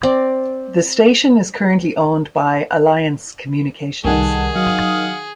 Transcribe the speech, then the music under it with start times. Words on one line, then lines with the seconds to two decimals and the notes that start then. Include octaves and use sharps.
The station is currently owned by Alliance Communications.
0.03 C4 D5
4.05 C2 D#3 G3 D#4 G#4 A4 F#5 G#5
4.56 F#3 F5 F#5 D#6